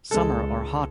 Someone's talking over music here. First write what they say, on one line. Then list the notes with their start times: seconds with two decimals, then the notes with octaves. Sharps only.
Summer are hottest in month of May and June.
0.11 C#2 G#3 A4